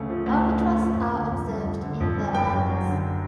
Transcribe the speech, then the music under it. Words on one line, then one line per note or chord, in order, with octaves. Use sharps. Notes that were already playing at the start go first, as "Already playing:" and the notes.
Albatross are observed in the islands.
Already playing: D2 C#3 A3
F3
D2
C#3
A3
F3
F2
D3
F2
G3
F2
D3
F2
G3
F#1 G5
F#2
F#3
D3